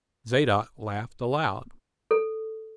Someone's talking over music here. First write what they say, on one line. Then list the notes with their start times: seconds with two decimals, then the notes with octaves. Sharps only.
Zadok laughed aloud.
2.11 A4